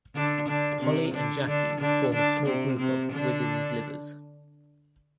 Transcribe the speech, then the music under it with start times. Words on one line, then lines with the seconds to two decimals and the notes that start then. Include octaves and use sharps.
Holly and Jackie form a small group of "women's libbers".
0.15 D3 D4
0.49 D3 D4
0.82 C3 C4
1.14 D3 D4
1.47 D3 D4
1.80 D3 D4
2.13 D3 D4
2.46 C3 C4
2.79 C3 C4
3.12 D3 D4